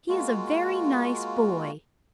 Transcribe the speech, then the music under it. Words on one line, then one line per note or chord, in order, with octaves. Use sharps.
He is a very nice boy.
G#3 A#3 F4 F#4